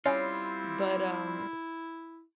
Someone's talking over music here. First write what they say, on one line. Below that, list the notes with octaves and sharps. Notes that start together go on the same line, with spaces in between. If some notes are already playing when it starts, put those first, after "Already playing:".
But, um
G3 C4 C#4 E4 F4